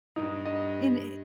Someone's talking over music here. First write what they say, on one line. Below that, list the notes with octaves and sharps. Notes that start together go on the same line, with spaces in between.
In, eh
G2 D#4
D#5